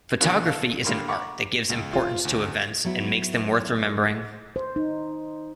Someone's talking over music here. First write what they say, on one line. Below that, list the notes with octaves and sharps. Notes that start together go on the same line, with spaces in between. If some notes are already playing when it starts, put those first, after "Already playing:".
Photography is an art that gives importance to events and makes them worth remembering.
B2 F3 A#3 D4 F#4
A4 F5
D3 G3 A#3 C6
F#5 A#5 B5 C#6 D6
C#2
F4
D2
F#3 B3 E4
C5
D#4